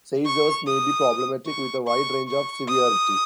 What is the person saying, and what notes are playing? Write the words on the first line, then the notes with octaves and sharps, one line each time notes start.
Seizures may be problematic, with a wide range of severity.
C#6
D#6
C#6
C#6
C#6
D#6